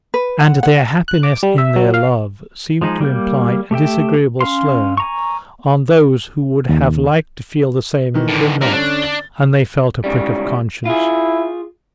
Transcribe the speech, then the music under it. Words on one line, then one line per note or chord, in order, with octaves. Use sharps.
And their happiness in their love seemed to imply a disagreeable slur on those who would have liked to feel the same and could not--and they felt a prick of conscience.
B4
F#5
F#5
F#6
D6
G3
E5
F#3
F5
F3 G#3 D#4 G#4
G3 A#3 G6
A3 G4 E5 G5
C#4 F5 C6
G#5 A#5 C#6
D#2
D#3 E3
D2 A2
G3 C4 D4 A#4 D5
D3 C#4 D4
A6 G7
G#2 C#3 G3
E4 F4 G#4